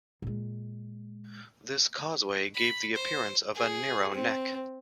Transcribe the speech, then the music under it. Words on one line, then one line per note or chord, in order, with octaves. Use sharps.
This causeway gave the appearance of a "narrow neck".
A#2 G#3
B5
C5
G#4
C4